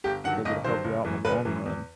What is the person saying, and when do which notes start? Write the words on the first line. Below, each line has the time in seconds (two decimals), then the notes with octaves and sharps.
'cause it'll help you out in the long run.
0.04 G1 G4
0.24 G2 D#3 F#3 F#5
0.45 G1 D#5
0.65 G2 D#3 F#3 C5
0.84 F#1
1.05 F#2 E3
1.25 F#1 B4
1.45 F#2 E3
1.65 E2